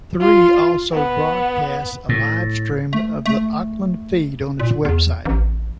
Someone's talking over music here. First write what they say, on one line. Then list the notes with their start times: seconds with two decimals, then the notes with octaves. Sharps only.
Three also broadcasts a livestream of the Auckland feed on its website.
0.21 F4
0.93 B3
2.09 A2
2.93 A3
3.26 A3
4.60 A#2
4.85 E2
5.25 A1